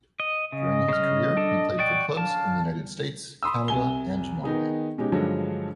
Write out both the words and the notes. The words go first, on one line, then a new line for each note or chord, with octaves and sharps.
During his career, he played for clubs in the United States, Canada, and Norway.
D#5
C#3 D#5
C#3 F6
D4 A4
F#4 D5 G5
C#4 D4 F5 A5
B5 C6 D#6 E6
C2 G#5 G7
D#3 B3 D#4 G#4
B2 G#3 C#4 D#4 G4
G2 D3 F3 F#3 G#3